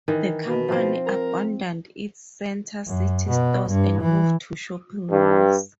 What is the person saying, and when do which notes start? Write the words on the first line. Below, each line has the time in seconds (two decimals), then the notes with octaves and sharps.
The company abandoned its center-city stores and moved to shopping malls.
0.08 D#3 E3
0.47 B2
0.68 F3 C4
1.06 A#4
2.86 F#2
3.28 B2
3.69 G2
4.01 E3
5.10 G2